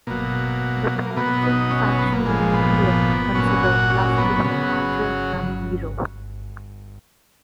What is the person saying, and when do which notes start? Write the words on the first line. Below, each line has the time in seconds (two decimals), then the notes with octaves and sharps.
The Puritan faction in England considered Love to be a martyr and hero.
0.07 B2 F#3 A#3
1.11 A#3
1.16 B2 F#3 B3
1.43 D#4
1.71 C#4
1.85 C#4
1.99 B3
2.13 A#3
2.25 A#2 F3 G#3
2.54 B3
3.35 A#2 F#3 C#4
3.63 F#4
3.90 C#4
4.18 B3
4.36 C#4
4.45 C#3 F#3 B3